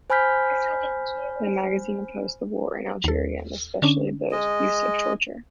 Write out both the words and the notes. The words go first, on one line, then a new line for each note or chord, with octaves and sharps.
The magazine opposed the war in Algeria, and especially the use of torture.
C5 G#5 B5 F6 G6 B6
D#2 A4
D3 C#4 D4
G#3 D#5